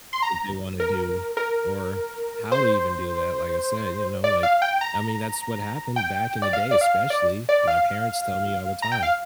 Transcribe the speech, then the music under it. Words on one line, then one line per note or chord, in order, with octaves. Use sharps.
what they wanna do, or how to even do that, like I said, you know, like, I mean, that's what happened back in the day, especially. My parents tell me all the time,
C6
A#5
A#4
A#4
C5
D5
F5
G5
A#5
G5
D5
F5
D5
F5
D5
D5
F5
A#5
G5
F5